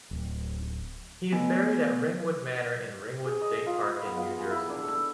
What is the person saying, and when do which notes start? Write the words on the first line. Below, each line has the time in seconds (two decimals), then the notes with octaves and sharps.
He is buried at Ringwood Manor in Ringwood State Park in New Jersey.
0.11 D1
1.32 A3 B3 G#5
3.25 G#4
3.41 D#5
3.66 F4
3.82 B4
4.05 B3
4.17 F4
4.37 G#5
4.51 E4
4.69 D4
4.83 A4